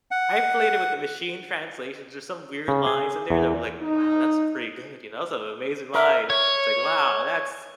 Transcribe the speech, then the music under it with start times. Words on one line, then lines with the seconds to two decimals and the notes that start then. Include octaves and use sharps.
I've played it with the machine translations. There's some weird lines in there that I was like, "Wow, that's pretty good, you know, it's an amazing line." It's like, "Wow, that's
0.11 F#5
2.68 C#3
2.86 G#4
3.30 E2
3.82 D#4
5.95 A#4 E5
6.30 C#5